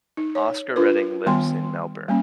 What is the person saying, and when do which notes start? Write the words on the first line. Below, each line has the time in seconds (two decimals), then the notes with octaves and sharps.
Oscar Redding lives in Melbourne.
0.17 D#4
0.35 C#5
0.76 D4 F4 A#4 B4
1.26 D#3 G3 B3 G5 C6
2.08 G3 A#3 C#4